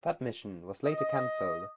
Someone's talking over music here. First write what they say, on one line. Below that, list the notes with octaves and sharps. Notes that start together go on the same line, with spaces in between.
That mission was later canceled.
D#5